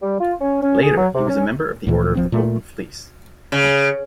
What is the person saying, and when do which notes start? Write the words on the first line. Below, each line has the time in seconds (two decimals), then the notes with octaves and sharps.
Later, he was a member of the Order of the Golden Fleece.
0.02 G3
0.20 F4
0.40 C#4
0.62 C#4
0.83 G#4
0.96 F#3
1.14 C3
1.28 C#4
1.87 D2 A#2 E3
2.15 D1 F3 C4
2.32 A#2 A3
3.52 C#3